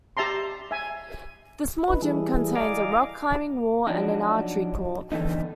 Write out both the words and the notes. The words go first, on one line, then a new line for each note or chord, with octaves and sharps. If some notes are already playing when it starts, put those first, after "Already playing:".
The small gym contains a rock climbing wall and an archery court.
G4 E5 A5 A#5 C6
E5 G#5
D#4 E4 B4
E3 G3 E4 G#4 A4
D5 D#5 F5 G#5 A#5 D6
F3 F#3 D4 D#4
E2 D3 E3 A3 D#4